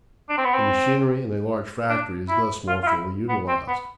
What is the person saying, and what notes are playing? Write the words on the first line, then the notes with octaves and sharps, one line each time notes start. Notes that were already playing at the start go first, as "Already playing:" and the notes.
The machinery in a large factory is thus more fully utilized.
D4
C4
B3
C4
D4
E4
F4
F4
E4
B3
C4
B3